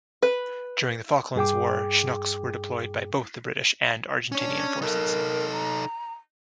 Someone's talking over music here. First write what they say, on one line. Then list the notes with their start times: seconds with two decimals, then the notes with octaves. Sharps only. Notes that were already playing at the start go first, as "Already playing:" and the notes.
During the Falklands War, Chinooks were deployed by both the British and Argentinian forces.
0.23 B4
1.36 G2 G#4 G5 D6
4.32 C#4 D4 C#5
4.82 D#4 A4 A#4
5.52 A#5